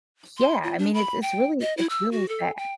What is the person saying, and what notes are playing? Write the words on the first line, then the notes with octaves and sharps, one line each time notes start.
Yeah, I mean, it's it's really it's really sad.
C6
F4
D4
B5
G5
D#5
E4
E6
F#4
A4
G5